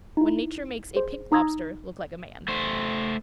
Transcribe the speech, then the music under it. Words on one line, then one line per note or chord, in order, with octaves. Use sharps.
When Nature makes a pink lobster look like a man.
D#4 E4
G#4 C5
D#4 A#5 D#6 E6 G#6 A#6
A3 C5